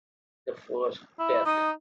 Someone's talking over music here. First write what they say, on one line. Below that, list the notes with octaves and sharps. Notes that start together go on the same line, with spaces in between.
The first death!
E4
D#4 D#6